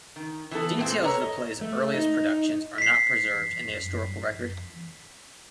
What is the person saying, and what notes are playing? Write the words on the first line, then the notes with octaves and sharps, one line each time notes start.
Details of the play's earliest productions are not preserved in the historical record.
D#3
E3 B3 A4
A#2 G#3 A3 B3 C4
A4 B4 C#5 A#5
D#5
A3
D#4
B6 C7